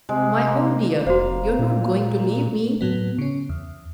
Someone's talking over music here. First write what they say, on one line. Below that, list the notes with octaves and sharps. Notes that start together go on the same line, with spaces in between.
"My own dear, you're not going to leave me!"
C3 G#3
A#3
F1 F#4 C5 F5
A#2
A2 F#3 B3
C#3 C#4
E2